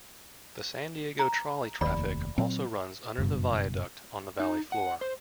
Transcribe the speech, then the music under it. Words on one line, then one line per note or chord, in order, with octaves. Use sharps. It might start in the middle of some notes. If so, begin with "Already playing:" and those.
The San Diego Trolley traffic also runs under the viaduct on the valley floor.
A#5
F1 D#2 D5 B5
A#2 F#3 C4
F#1 G2 B2
D#4
F#5
C5